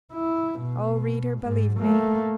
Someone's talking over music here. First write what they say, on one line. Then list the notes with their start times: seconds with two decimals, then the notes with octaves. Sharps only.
Oh, reader, believe me!
0.13 E4
0.60 B2
1.42 G#2
1.78 A3 A#3